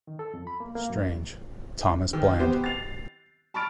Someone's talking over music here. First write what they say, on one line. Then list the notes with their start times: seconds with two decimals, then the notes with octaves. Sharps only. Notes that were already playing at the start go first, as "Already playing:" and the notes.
Strange, Thomas Bland.
0.07 D#3
0.19 A4
0.34 F2
0.47 B5
0.60 A#3
0.75 A#3
0.90 F#2
2.13 D#3
2.39 B3 G4 C5
2.64 A6 C7 F7
3.54 A5 B5 C#6 F6 A6 D7